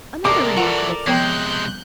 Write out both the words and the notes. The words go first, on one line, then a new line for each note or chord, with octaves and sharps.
Another remarkable thing.
C3 G#3 A4 A#4 D5 D6
E3 F4 F#4 F#5
C3 F3 G#3 B3 G5 F#6 G6